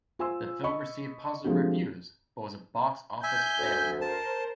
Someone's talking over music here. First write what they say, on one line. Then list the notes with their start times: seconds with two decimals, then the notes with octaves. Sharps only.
The film received positive reviews but was a box office failure.
0.19 F4 C5 G#5 C6 E6
0.63 D#5 B5 C#6
1.44 F3 G#3 A3 C4 D4 G4
3.23 E5 G#5 G6
3.59 D2
4.01 A#4 C5 A5